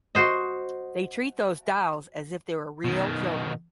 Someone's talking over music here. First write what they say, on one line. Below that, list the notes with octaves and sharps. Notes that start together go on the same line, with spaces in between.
They treat these dolls as if they were real children.
F#4 C5 D#5
B2 D#3